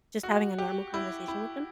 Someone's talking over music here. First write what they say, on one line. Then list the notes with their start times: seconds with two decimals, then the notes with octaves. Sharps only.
Just having a normal conversation with them.
0.23 F#4
0.58 G4
0.94 E4
1.28 E4